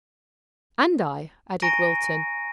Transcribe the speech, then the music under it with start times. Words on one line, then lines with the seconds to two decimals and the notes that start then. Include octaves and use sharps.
"And I," added Wilton.
1.62 G#5 A#5 C#6 A#6 D7 D#7